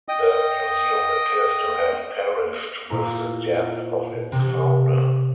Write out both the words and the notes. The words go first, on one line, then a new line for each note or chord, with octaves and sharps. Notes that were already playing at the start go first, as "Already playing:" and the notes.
The museum appears to have perished with the death of its founder.
D#5 G5 D#6
A#2 E4 A#5
C3